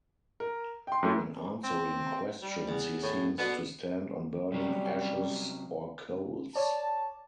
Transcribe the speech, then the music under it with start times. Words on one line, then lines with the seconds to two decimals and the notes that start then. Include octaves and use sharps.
When answering questions he seems to stand on burning ashes or coals.
0.40 A#4
0.87 G5 C6
1.03 F#2 A3 E4
1.64 C4
2.42 G3
2.68 E2
3.02 A2
3.38 B2 D3 B3
4.52 C3 F#3 G3 C#4
6.56 C#5 D5 A5